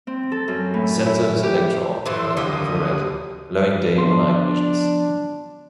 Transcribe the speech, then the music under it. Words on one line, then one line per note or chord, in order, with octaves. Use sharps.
The sensor is electro-optical and infrared, allowing day or night missions.
C4
A4
F#2
A2
E4
G4
A2 E3 C5 E5
D2 F#3 G3 A#3 D#6
F3 B3 D4 C6